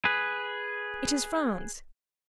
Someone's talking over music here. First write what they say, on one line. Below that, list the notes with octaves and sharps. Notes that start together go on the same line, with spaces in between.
It is France.
G#4 B4